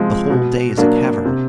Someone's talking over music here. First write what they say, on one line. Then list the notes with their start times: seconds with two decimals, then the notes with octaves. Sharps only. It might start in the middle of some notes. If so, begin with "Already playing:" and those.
The whole day is a cavern.
Already playing: C3 F3 G#3
0.30 B2
0.77 F#3 A#3 D4
1.25 C3